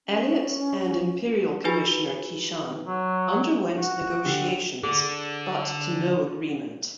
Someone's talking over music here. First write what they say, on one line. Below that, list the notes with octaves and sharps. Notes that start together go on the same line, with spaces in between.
Elliot and Imperial Commissioner Qishan underwent negotiations but to no agreement.
C#4
D#4 F4 F#4 G#4 B4 G#5
F#3
F#4
D3 G4
D3 G#4